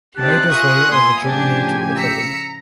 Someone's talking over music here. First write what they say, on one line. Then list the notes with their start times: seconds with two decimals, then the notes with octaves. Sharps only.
He made his way over Germany to Italy.
0.17 C3 D#4 G4 D5 A5 F#6
0.50 F4 G#4 A#4 E5 C#6 D#6
0.92 A#2 A#3 B3 G#5 C6
1.25 A2 C#3 F3 D4 G4
1.95 A#5 E6 B6 C#7